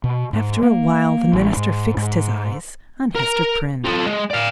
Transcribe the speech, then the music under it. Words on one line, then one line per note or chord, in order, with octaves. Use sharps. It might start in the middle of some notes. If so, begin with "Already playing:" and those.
After awhile, the minister fixed his eyes on Hester Prynne's.
B2
G#2
A#3
A1
G#2
G#2
A#4 A#5
F4 A4
G#3
D5 F5